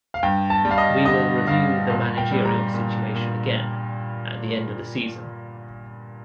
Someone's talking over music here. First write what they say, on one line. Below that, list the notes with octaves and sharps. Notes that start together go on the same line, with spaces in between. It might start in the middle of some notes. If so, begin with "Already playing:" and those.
We will review the managerial situation again at the end of the season.
F5
G2 G5
A5
G3
F5
D#5
D3 D#5
G2 F5
A#2
G5
G3
A#5
A#2
A#2